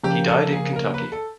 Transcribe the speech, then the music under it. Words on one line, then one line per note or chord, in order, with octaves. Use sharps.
He died in Kentucky.
C#3 F3 A#3 G4
A4
G#4
A#4
B4
A4